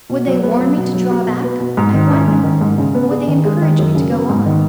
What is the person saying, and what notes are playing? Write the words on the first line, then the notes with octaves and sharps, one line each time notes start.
Would they warn me to draw back, I wonder? or would they encourage me to go on?
B2
F#3
B3
F#3
B2
F#3
F#4
B2
B3
B2
G#2
D#3
C#4
G#2
D#3
G#2
C#3
B3
G#4
D#3
G#3
D#3
F#2
C#3
B3
G#2
D#3